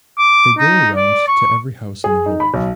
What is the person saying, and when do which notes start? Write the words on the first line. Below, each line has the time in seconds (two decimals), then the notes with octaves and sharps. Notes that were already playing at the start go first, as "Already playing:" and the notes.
They go around to every house in the village.
0.18 D6
0.58 D#4
0.96 D5
1.28 C#6
2.04 G#4
2.26 D#4
2.40 B5
2.54 B1